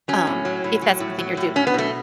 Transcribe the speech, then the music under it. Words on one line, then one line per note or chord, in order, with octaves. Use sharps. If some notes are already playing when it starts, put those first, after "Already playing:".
Um, if that's something you're doing.
F#3 C#4
A2
F#3
A2
F#3
A2
F#3
A2
F#3 C#4
B3
B2 A3